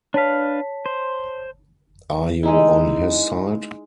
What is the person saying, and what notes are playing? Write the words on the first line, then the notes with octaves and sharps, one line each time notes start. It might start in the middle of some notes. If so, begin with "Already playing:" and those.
Are you on his side?
D4 B4 C#5 F5 A5 B6
C5
G#3 D#4 E4